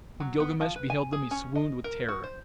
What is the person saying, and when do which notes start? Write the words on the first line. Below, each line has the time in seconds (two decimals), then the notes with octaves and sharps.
When Gilgamesh beheld them he swooned with terror.
0.20 F#3
0.40 B3
0.61 F3
0.76 B4
0.90 G#5
1.13 G#4
1.31 C#4
1.55 D#5
1.84 A#4
2.09 F#4
2.24 C5